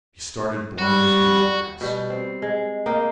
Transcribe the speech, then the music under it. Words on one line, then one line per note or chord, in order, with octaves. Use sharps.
He started blindly through the grass.
G3 F#4
B2 G3
C4
G#3
A#3 A#4 D#5 G5